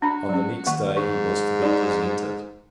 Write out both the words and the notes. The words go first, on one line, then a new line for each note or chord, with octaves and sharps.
On the next day, he was to be presented.
D4 F#4 B5
F#3 C#4
D#3 A#3 C#6
G#2 C#6
D#4 D5